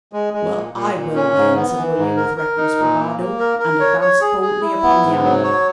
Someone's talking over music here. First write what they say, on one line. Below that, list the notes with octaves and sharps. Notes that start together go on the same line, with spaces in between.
"Well, I will, then!" said William with reckless bravado, and advanced boldly upon the animal.
G#3
G#3
A#2
A#2
A#2
C#4
G#2
B3
E3
G#2
A#4
A#4
D#4
A#2
A#3
A#3
A#4
A#4
C#5
C#5
G#4
G#4
E4
B3
G#2
F#3
C#5